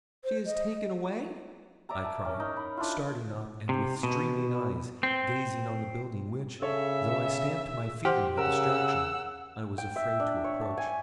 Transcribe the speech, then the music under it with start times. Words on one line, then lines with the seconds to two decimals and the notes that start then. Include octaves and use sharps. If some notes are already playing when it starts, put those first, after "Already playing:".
'She is taken away!' I cried, starting up, and with streaming eyes, gazing on the building which, though I stamped my feet in my distraction, I was afraid to approach.
0.24 C5
0.46 D#5
1.89 D5 E5 A#5
2.04 A5
2.25 C#4 A#4
2.40 D#4
2.57 B5
2.77 D4 E4 F4
3.69 C3
4.03 B2
5.03 C4
6.62 C#3 A4 C#5 E5
8.05 G4 C5 F#5 F6
8.37 C#3 A#4 F#5 E6
9.78 G5
9.96 E5
10.20 D4
10.44 C#5
10.61 A5
10.77 G#5